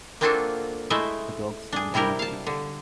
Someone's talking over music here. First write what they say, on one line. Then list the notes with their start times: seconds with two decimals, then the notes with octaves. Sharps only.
A dog standing on a beach.
0.21 A#3 C4 D4 F4 F#4 A4
0.90 G#3 A3 E4 C5 D#5 E5
1.72 D4 G#4
1.94 C3 G3 E4 G4 A#4
2.19 F5 A5
2.46 D3